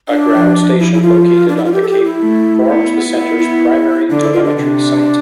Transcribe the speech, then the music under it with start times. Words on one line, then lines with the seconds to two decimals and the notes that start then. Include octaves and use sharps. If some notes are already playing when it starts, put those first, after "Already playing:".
A ground station located on the cape forms the centre's primary telemetry site.
0.09 D4
0.31 F3
0.79 E4
0.93 E4
1.02 F4
1.48 D4
1.57 E4
1.65 F4
1.73 G4
1.83 A4
1.89 G4
2.04 E4
2.20 A3
2.67 B3
3.11 F4
3.14 B3 E4
3.38 E4
4.09 D3 D4
4.21 E4
4.33 F4
4.44 D4
4.56 C3 D4